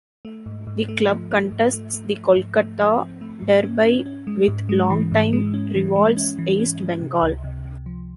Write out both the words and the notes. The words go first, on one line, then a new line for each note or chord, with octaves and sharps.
The club contests the Kolkata Derby with long-time rivals East Bengal.
A3
G#2
G#2
A3
F3
A3
G#2
A3
A3
A3
G#2
A3
F3
C4
A3
G#2
C#4
C#4
C#4
G#3
G#2
G#3
E3
G#2
G#3
C#4
E3
G#3
C#4
E3
C#4
C#4
C3
C#2
C3
C3
F3